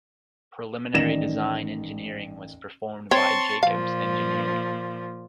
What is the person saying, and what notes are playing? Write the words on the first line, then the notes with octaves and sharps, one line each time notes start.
Preliminary design engineering was performed by Jacobs Engineering.
A1 D#3 D5 A#6 E7
C4 C#5 A5 C6 C#6
A#2 F3 F5